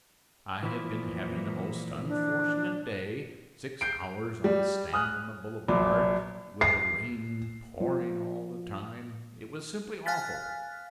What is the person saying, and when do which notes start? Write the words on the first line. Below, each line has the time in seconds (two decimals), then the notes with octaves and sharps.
I had been having a most unfortunate day--six hours on a stand on the Boulevards, with the rain pouring all the time. It was simply awful.
0.63 A#2 E3 F3 E4
2.07 D4
3.81 G6 C7 D7
4.44 G3
4.93 G#5 D#6 F6 F#6
5.68 A#1 F#3 D5 D6
6.61 C7
7.80 F3
10.06 F5 G#5 F6 F#6 A6 B6